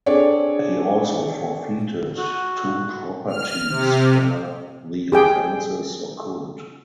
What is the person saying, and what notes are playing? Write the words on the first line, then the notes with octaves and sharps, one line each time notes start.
He also forfeited two properties where the offences occurred.
C4 D4 G#4 A4 C#5 D5
F#4
F6
C3
G4 G#4 G5